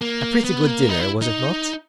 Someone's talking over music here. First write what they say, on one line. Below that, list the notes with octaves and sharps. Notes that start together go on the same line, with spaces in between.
A pretty good dinner, was it not?
A#3
B3
A#3
D#4
E4
D#4